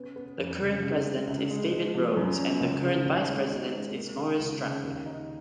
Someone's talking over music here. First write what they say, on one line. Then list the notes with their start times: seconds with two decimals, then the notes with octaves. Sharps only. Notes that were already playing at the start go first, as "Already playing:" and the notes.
The current President is David Rhodes and the current Vice President is Maurice Trapp.
Already playing: B3 C#4
0.16 B3
0.38 F2
0.61 C#3
0.82 C#3
1.05 G#3
1.27 C#2
1.50 G#3
1.72 G#3
1.94 F3
2.17 F#2
2.38 C#4
2.60 C#2
2.83 C#3
3.05 D#2
3.28 G#3
3.50 D#4
3.72 G#3
3.95 A#3
4.17 D#3
4.39 C#2
4.62 C#3
4.83 D#2
5.06 D#4